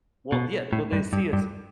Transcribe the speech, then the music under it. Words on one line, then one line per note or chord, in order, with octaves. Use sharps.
Well, yeah, well, they see us
B2
A2
G2
G2
G2